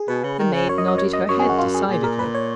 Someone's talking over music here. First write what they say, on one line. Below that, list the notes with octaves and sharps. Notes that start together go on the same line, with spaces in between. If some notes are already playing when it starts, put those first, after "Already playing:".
The maid nodded her head decidedly.
Already playing: G#4
B2 B4
C#3
D#3
C#3
F#2 C#5
D#5
D#5
C#5
D#5
F#2 C#5
G#4
F#4
F4
G#4
A#2 G#4
A#4
B4
C#5